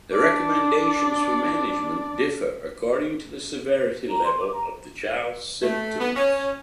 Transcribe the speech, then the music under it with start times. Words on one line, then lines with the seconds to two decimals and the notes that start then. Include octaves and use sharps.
The recommendations for management differ according to the severity level of the child's symptoms.
0.12 D4 D5
4.09 A#5
4.25 C6
4.40 D6
4.53 A#5
5.62 A3
6.00 B3
6.16 C#4